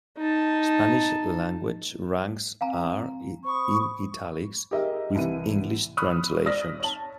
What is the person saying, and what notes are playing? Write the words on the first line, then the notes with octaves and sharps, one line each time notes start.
Spanish language ranks are in italics, with English translations.
D#4 A5
C4 F5 G#5 A#5
C5 B5 C#6 D#6
G4 G#4 A#4 D#5 E5
C2 E3 D#7
B5 C#6 D#6 F6 F#6
D5 D#6 F6 A#6 B6
C#5 A5